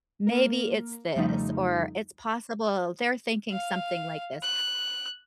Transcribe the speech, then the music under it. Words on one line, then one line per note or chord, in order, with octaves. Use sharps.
maybe it's this, or, it's possible they're thinking something like this,"
A#3 A#4
F2 C#3 F3 G3 A3 D#4
F5
F#6